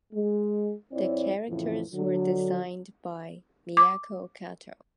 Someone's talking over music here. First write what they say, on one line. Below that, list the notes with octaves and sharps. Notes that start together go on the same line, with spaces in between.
The characters were designed by Miyako Kato.
G#3
F2 C4 E4 C#5 D5
F2 A2 C#3 E3
D3 F#3
D6